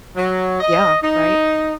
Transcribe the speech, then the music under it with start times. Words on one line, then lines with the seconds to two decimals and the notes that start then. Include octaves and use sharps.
Yeah, right?
0.17 F#3
0.61 D#5
1.03 D#4